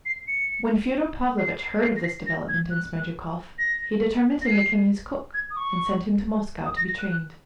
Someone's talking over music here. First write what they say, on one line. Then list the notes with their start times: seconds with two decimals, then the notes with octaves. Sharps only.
When Fyodor Pavlovitch heard of this development in Smerdyakov he determined to make him his cook, and sent him to Moscow to be trained.
0.06 C7
0.28 C#7
1.39 C7
1.59 C7
1.82 C7
1.96 A#6
2.04 C7
2.26 A#6
2.49 G#6
2.71 F#6
3.59 A#6
4.42 A#6
4.46 C7
5.34 G#6
5.51 D#6
5.57 C#6
6.66 D#6
6.77 A#6
6.88 A#6
6.99 F#6
7.10 F#6